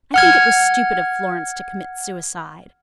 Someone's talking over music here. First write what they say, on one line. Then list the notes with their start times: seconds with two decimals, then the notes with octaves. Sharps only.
"I think it was stupid of Florence to commit suicide."
0.14 F#5 F6 G#6